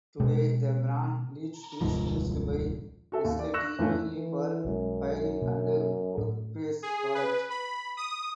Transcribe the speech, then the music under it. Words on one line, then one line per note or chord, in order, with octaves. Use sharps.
Today the brand Leitz is used by Esselte mainly for filing and workspace products.
B2 G#3
D#1 C2 G#2 F3
F#4 A4 E5
D#2
D5
C#6 E6 F#6 A#6 E7
F2 A2 E3 A3 C#4
E3
B1 F#2 G#3
B2 A#3
A2
G#4
B4
B5
D#6